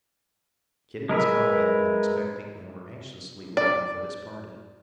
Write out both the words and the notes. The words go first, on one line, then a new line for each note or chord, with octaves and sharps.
Kit and his comrade had been expecting and were anxiously looking for this party.
G#3 A#4 B4 E5
D5